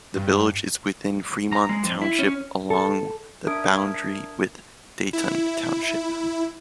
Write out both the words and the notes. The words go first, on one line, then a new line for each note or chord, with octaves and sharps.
The village is within Fremont Township along the boundary with Dayton Township.
G2
A#5
G#3
F2
E4
C#4
A4
D4 A#4 E5 D#6 G#6 D7
E4